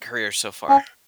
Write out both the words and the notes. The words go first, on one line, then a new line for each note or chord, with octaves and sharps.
career so far?
C#4